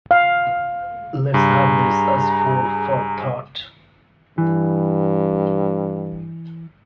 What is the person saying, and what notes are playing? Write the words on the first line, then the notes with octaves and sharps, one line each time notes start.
Let's have this as food for thought.
F5
G2 G#4 A#5
G2 E3